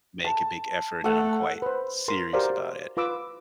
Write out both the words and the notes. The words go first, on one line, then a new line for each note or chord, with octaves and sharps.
make a big effort, and I'm quite serious about it.
A5
A3 A4 F#5
B4 C5
A#4 C6
F#4 G4 A#4 C5 D5 F5
F4 B4 D6 E6